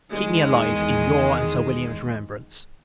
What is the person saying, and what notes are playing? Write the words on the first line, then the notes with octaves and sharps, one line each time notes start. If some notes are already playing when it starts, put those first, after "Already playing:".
Keep me alive, in your and Sir William's remembrance.
E2 D#3 G#3